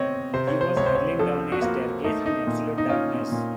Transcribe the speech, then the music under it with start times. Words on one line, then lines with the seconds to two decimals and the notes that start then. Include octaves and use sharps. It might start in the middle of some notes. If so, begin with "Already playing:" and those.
He was hurling down a staircase in absolute darkness.
Already playing: C3 C4 C#5 D#5
0.34 C3 C5
0.47 C#5
0.61 C5
0.76 C#2 C#5
0.86 C5
0.95 C#5
1.19 F3 A4
1.52 F#4
1.62 A#3 F4
2.04 A3 D#4
2.26 D#4
2.47 A#2
2.78 D#4
2.89 C#4 F4
3.32 A#2